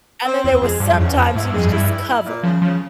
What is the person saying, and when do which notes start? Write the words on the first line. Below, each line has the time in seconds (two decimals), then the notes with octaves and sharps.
And then there was sometimes he was just covered,
0.25 C4
0.44 E2 C4
0.62 F2 G#3
0.80 G2 F3
0.91 F2
0.98 C#3
1.03 E2
1.14 F2
1.17 F3
1.35 G#2 E4
1.46 G2
1.53 F2 G#3
1.67 G2 E4
1.89 E4
2.08 E4
2.26 A#2
2.43 C#3 F3
2.62 C#3 F3